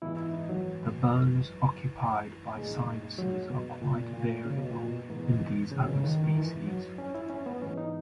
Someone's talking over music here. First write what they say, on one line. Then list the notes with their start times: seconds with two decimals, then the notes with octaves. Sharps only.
The bones occupied by sinuses are quite variable in these other species.
0.02 G#2 E3 B3 E4
0.17 E4
0.33 D#4
0.49 F#3
2.55 A#2 G#3 D#4 G#4
3.18 F#3
3.50 B2
3.82 A#2
4.13 A#2
4.45 C#3
4.58 B2
4.71 A#2
4.83 B2
5.08 G#2 E3 B3 D#4
5.72 C#3
5.80 B2
5.88 C#3
6.04 D#3
6.24 D#3
6.35 E3
6.67 F#3
6.98 C#4
7.14 E4
7.30 C#4
7.46 B3
7.61 G#2 E3 B3 C#4
7.77 D#4